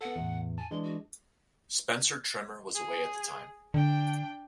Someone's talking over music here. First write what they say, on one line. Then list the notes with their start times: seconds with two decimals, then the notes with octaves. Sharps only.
Spencer Trimmer was away at the time.
0.01 B3 A4 F#5
0.16 E2 A2
0.58 G#5 A5
0.71 E3 G#3 D4 C6
0.83 F#4
2.75 G#4
3.74 D3 D4 G5